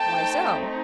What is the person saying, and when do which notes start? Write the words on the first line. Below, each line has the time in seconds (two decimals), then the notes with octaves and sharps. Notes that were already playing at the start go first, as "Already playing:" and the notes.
"Why so?"
Already playing: A3 C4 D#4 G5 A5